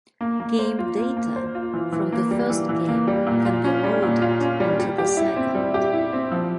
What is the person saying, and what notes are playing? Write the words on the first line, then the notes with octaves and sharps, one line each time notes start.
Game data from the first game can be loaded into the second.
A#3
A#3
C5
F4
A#3
A#3
C5
F4
E3
E3
A#3
G3
E3
E3
A#3
G3
A#2
F4
C#4
G3
A#2
F4
C#4
G3
G3
G4
E4
C4
G3
G4
E4
C4
F3